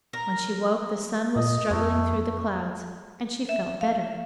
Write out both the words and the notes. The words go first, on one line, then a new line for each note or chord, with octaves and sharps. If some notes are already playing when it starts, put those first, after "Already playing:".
When she woke the sun was struggling through the clouds, and she felt better.
A#4
A#2 D#5
F2 A3
E5
F5